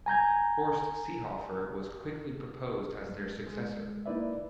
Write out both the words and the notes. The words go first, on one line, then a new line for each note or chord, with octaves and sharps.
Horst Seehofer was quickly proposed as their successor.
G#5 A#5 G6 G#6
F#2 G#3
G#3
A#3 D#4 E4 B4 D5 E5